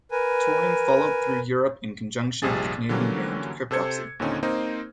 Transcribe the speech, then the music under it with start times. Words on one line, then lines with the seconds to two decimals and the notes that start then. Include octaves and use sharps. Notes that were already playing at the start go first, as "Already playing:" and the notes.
Touring followed through Europe in conjunction with the Canadian band Cryptopsy.
0.11 A#4 B4 G#5
2.42 A#1 F2 C3 G3 G#4 A6
2.89 D3 E3 F#3 G3 A#3 C#4
3.71 C3 A4 C5 G#6 C#7
4.20 D#2 A#2 D3 C4 C#4 D#4
4.43 A#3 C4 D#4 C5